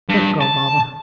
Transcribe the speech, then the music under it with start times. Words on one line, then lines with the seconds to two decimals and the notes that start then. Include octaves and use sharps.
"Don't go, mamma."
0.10 G2
0.42 A5